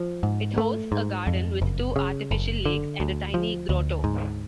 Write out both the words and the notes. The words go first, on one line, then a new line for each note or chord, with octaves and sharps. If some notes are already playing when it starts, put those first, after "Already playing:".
It hosts a garden with two artificial lakes and a tiny grotto.
Already playing: F3
G#2
A3
G#2
F2
F#1
C#3
F#1
D3
D2
F3
D2
G#2